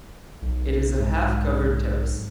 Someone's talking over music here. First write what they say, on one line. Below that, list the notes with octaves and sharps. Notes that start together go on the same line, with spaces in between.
It is a half covered terrace.
B1
G#2